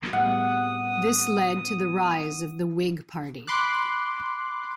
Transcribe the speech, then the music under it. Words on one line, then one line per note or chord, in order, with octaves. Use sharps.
This led to the rise of the Whig Party.
A2 G3 B3 F#5 D#6
B5 C6 D6 F#6